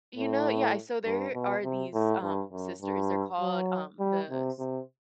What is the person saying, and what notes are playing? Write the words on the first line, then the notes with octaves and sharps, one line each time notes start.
You know, yeah, so there are these, um, sisters, they're called, um, the S
A2
G2
B2
C3
A2
G2
F#2
G2
F#3
G3
C3
C3